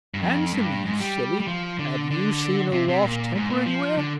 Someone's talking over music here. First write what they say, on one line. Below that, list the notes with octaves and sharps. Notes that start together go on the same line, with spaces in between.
Answer me, you silly, have you seen a lost temper anywhere?
G2
F2
G2
G#2
G3
G3
F3
D3
D3
C3
C3
A#2
G#2
A#2
F3
D3